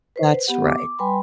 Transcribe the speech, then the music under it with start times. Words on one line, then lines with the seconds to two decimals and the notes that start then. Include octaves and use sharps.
That's right.
0.16 B4 C5
0.47 B3 G4 F#5
0.64 D6
0.99 G3 B4 G5 G#5 B5 C6